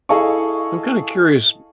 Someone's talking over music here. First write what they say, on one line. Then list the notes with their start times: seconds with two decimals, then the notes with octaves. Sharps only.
I'm kinda curious.
0.09 E4 G#4 A4 D#5 F5 C#6